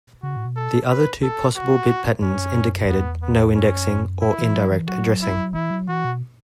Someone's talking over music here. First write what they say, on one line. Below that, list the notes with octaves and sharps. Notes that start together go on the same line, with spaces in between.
The other two possible bit patterns indicated no indexing, or indirect addressing.
C#3 F#4
A2
B2
A4
B4
A4
F#4
F#2 C#4
E2 B3
B3
F#2 C#4
E4
E3
F#3
E3
F#3 F#4
E4
E3 E4
F#3
E3 F#4
B2